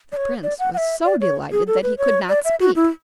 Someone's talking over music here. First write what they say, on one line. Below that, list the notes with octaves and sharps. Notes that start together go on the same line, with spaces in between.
The prince was so delighted that he could not speak.
D5
C#5
D5
F#5
F#5
E5
D5
C#5
G#4
A4
B4
C#5
D5
E5
F#4
E4